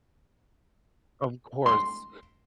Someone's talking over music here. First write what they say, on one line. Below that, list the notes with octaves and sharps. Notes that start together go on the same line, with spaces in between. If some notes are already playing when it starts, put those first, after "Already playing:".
Of course.
C6